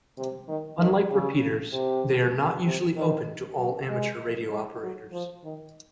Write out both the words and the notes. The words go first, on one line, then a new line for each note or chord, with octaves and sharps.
Unlike repeaters, they are not usually open to all amateur radio operators.
C3
D#3
D#3
C#3
C3
C3
D#3
F#3
G#3
G#3
F#3
F3
D#3